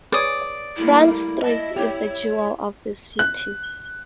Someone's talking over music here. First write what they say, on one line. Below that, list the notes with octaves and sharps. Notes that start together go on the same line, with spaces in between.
Front Street is the jewel of the city.
G#4 B4 C#5 D5 D#6
G3 A3 A#3 E4
E4 D#5 A5
G4 C#5
F#6